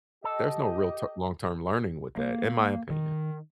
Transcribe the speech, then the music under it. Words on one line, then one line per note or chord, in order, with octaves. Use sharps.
There's no real t long-term learning with that, in my opinion.
G4 A4 D#5
A#3
D#3